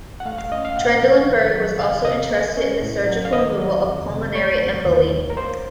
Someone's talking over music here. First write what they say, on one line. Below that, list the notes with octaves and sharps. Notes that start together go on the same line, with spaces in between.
Trendelenburg was also interested in the surgical removal of pulmonary emboli.
F#5
A3 F5
F5
C#4 D#5
F5
A#2 F#5
F3
D#3
F#3
C2 F5
C3 D#5
A#3
C#4
A2
F#3
F5
D#3 D#5
F#3
F2
C3
A3 C#5
D#2
D#2
D#3
A#4
A#3 C5